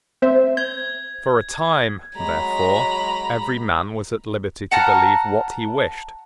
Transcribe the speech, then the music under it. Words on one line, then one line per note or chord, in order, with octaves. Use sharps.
For a time, therefore, every man was at liberty to believe what he wished.
C4 C5 E5
G6 G#6
F#3 G#3 A#5 B5
F#5 A5 A#5 F6